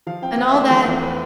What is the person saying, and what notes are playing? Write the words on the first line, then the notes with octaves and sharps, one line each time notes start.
And all that.
F3 F5
C4 G5
C4 F5
E5
A3
C5
F3
E2
B4